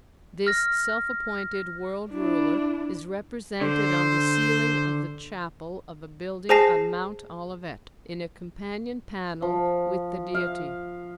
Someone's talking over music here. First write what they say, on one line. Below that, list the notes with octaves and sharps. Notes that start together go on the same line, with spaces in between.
This self-appointed world ruler is represented on the ceiling of the chapel of a building on Mount Olivet in a companion panel with the Deity.
F6 A#6
D4 E4
D3 C5
G#4 C5 G#5 A5 A#6 C7
F3
F5